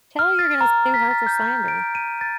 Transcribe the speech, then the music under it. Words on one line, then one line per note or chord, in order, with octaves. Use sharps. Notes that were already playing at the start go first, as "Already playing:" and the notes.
Tell her you're gonna sue her for slander.
F6
A6
A#5
B6
A6
G6
G6
D7
D#7
A6